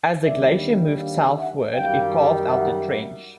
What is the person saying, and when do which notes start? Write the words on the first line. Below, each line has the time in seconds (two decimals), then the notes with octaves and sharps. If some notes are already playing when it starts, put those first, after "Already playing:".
As the glacier moved southward it carved out the trench.
0.24 D#2 D3 G3 D5 E5
0.99 D#5 F5
1.36 E5 F#5
1.74 F#2 D#3 G3 F5 G5
2.49 E5 F#5